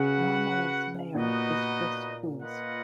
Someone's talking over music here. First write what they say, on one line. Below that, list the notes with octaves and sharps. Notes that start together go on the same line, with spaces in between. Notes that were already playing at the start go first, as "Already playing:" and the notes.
Normal's mayor is Chris Koos.
Already playing: C#3 F#4 B4 F#5
A#2 B3 D#4 F#4 B4 D#5
A#3 F4 B4 D#5 F#5